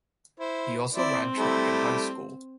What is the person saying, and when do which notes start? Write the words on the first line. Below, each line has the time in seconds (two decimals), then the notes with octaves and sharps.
He also ran track in high school.
0.40 E4 C5
0.95 C4 E4 D5
1.37 G3 A3 E4